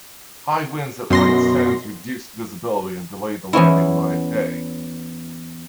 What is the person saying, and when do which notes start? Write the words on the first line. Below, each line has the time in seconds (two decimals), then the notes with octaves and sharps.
High winds at White Sands reduced visibility and delayed the landing by a day.
1.10 F#2 B2 C6 A#6
3.53 E2 B3 C#4 E4